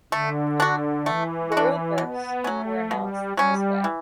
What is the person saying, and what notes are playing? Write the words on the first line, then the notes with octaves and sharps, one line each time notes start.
Royal births were announced this way.
D3 A3
D4 F#4
E3 A3
F#4
D4
B2 B3
F#3 A3 C#4
B2 G3
F#3 G3 C#4
E3